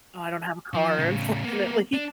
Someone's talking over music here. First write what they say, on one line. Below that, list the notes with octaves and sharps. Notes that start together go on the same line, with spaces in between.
Oh, I don't have a car, unfortunately.
F3
A2 C#3
A#3 B3
D4